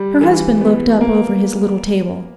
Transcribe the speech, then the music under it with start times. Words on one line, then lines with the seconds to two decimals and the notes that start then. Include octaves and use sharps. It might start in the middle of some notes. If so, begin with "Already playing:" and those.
Her husband looked up over his little table.
Already playing: G3
0.21 E3
0.61 B3
1.01 A#3